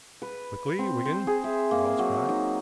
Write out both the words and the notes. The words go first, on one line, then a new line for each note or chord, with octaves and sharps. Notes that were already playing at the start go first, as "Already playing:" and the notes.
"Quickly, Wigan!" Quarles cried.
B4
C4
C5
G#4
E5
A#3
F#3
D#4